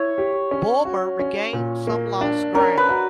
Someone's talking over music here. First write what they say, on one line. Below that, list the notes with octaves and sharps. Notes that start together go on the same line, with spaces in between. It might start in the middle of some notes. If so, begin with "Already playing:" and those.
Bulmer regained some lost ground.
Already playing: E4 C#5
G4
C#4
F#4
C#4
A#2
A#3
D4
C#4 A#4
B4
F#4